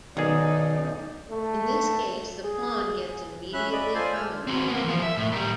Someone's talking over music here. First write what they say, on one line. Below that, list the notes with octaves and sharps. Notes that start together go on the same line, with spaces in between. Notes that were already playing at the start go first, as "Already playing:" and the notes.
In this case the pawn gets immediately promoted.
B1 D#3 D#4 G#4 D5
A3
G#4
C#4 E5 B5 F#6
D5 D#5 B5
F4 A4 C5 D5 G#5 C6
E6 F6
C4 F#4
A#3 B3
E3 F3
E5
A2
A#2 G3